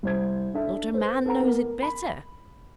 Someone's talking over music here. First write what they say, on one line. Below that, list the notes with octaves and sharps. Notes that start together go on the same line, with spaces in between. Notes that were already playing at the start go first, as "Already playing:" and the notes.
Not a man knows it better.
C2 C5 G#6
D4 A4 E5
A4 B4 C5
A4 B4 F#5 A#5
B3 A#4
B5